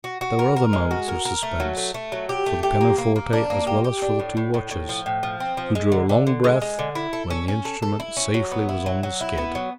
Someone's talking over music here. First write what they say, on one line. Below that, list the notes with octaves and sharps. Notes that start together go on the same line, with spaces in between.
There were other moments of suspense, for the pianoforte as well as for the two watchers, who drew a long breath when the instrument safely was on the skid.
F#4
F#4
A#4
A#4
G#3
F#4
A#4
A#4
A3
F#3
A3
A3
F#3
G4
A3
G4
A#3
A#3
A#3
D4
A#3
G4
G4
D4
A2
A2
A2
A2
F3
A2
F3
C4
F3
G#3
D3
D3
D3
G#3
G#3
D3
E4
A4
C#4
C#4
A4
A4
E4
C#4
F#3
B3
E4
F#3
F#3
E4
B3
F#3